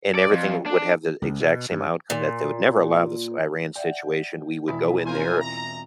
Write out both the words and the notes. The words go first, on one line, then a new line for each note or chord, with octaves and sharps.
and everything would have the exact same outcome that they would never allow this Iran situation. We would go in there
D5
F2
D4
C#2
B2
G2
A#2
D5 E5 F#5 G5
E1 B2 E4 E5 B5
C4 F4 A#4 C5 F5 G#5
A#5